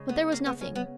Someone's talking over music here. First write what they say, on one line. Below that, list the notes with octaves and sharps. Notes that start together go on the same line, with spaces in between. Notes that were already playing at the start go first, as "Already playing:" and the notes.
But there was nothing.
Already playing: C#3 G#3
B3
A#3
B3
C#4
B3